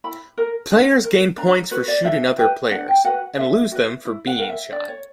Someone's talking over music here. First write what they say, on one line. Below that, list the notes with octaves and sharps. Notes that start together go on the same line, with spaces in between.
Players gain points for shooting other players, and lose them for being shot.
E4 B5
A#4
D4
A#4
D4 A#5
F#4 B4
D5
D4 E5
G4 B4
D4 F#5
G5
F#4 B4 F#5
D4 E5
F#4 B4
E4
F#5
A#4 F#5
E5
D4 D5
C#5